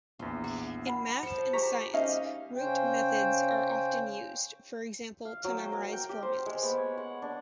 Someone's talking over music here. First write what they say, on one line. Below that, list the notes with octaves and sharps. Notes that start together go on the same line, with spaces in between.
In math and science, rote methods are often used, for example to memorize formulas.
A#1 E2 F4
F#4
F#5 B5
F3 C#7 E7
G4 G#4 A#5 C#6 B6
C#4 D#4 F5
C#3 C#4 C5 G5
F5
F#3
G5
A#4
G5
G4
C5
G#3
B3
C#5
F#5
D4